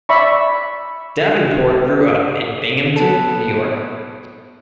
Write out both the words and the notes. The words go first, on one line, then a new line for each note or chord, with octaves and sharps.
Davenport grew up in Binghamton, New York.
D5 E5 B5 C#6
B3 A4